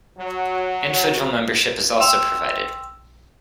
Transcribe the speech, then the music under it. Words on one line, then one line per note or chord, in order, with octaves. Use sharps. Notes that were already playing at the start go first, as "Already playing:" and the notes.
Individual membership is also provided.
F#3
G5 C6 E6 E7 F7